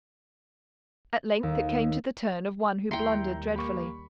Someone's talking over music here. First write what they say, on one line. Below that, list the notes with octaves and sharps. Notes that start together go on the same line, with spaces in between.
At length it came to the turn of one who blundered dreadfully.
D#2
D#2 G3 E4 G5 A#5 C6 C#7
A#3 G4 B5 C#6